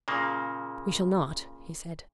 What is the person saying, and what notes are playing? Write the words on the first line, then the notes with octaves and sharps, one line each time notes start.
"We shall not," he said.
A#2 C#3 A#3